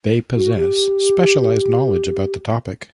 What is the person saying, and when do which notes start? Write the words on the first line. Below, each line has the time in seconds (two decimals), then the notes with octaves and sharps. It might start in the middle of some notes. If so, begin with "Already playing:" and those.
They possess specialized knowledge about the topic.
0.35 F#4
0.55 G4